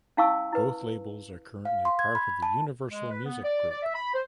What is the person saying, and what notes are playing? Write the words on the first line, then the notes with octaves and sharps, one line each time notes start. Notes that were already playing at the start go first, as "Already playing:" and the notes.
Both labels are currently part of the Universal Music Group.
C#4 E4 F5 A5 C#6 E6
E4 B4
F5
C6
G#6
B5
A5
G#3
B4
B3
D5
D5
E5
B5
C5